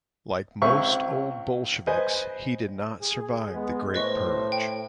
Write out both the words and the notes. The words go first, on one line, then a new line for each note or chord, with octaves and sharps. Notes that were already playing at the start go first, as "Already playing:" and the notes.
Like most Old Bolsheviks, he did not survive the Great Purge.
C#2 C4 E5 C#6
B4 C5 D#5 G#5
G#4
G#3 B3
A2 B4 C5 D#5 C#6
G5